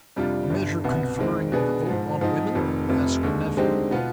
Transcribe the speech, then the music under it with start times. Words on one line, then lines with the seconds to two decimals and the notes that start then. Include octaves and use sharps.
"A measure conferring the vote on women?" asked the nephew.
0.16 F2 C3 G3 D4 F4
0.50 G1 G2 D3
0.84 C2 B2 B3
1.18 F2 D#3 G#3 C4
1.52 B2 B3 D4 G#4 B4
1.87 G#2 F3 G#3
2.21 G#2 F3 C4 D#4
2.55 F1 F2 D#3
2.89 F1 F2 C3
3.23 D#2 D3 G#3
3.57 D3 G#3 C4 D#4 G4
3.91 B2 B3 F4 B4